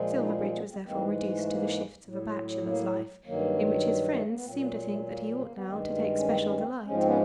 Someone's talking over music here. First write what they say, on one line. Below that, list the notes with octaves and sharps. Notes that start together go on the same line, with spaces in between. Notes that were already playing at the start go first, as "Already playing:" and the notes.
Silverbridge was therefore reduced to the shifts of a bachelor's life, in which his friends seemed to think that he ought now to take special delight.
Already playing: A#2 F3 G#3
D#4
D4 E4
C#4 D#4
B3 C#4
A#3 C4
G#2 E3 G#3 A#3 C4
A3
A#3
A2 F#3
A#3
G2 D#3 F#3 A#3
A3
A#3
B3
A#2 F#3 A#3 C4
A3 B3
A#3
A3
A#3
A#3
B3
G2 D#3 G#3 A#3 C4
A#3
C#4
A#3 C4
C#4
A#3 C4
G#2 F3 G#3 C#4
C4
B3 C#4